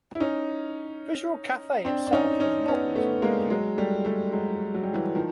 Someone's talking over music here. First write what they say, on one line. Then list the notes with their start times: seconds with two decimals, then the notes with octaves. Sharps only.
Visual Cafe itself was not written in Java.
0.15 E4
0.20 C#4 D#4
1.85 C4 D4
2.07 D4
2.13 C#4 D#4
2.40 C#4 D#4
2.68 B3 C#4
2.95 A3 B3
3.22 G#3 A#3
3.50 F#3 G#3
3.78 G3 A3
4.05 G3 A3
4.32 F#3 G#3
4.74 F#3
4.83 G3
4.93 E3 F#3
5.15 D#3 F3